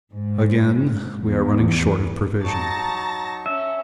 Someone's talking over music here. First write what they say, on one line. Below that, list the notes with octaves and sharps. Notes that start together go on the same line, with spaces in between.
Again we are running short of provision.
G#2
E2
F#3 D#4 A5 A#5 C#6 A6 A#6
C#4 E5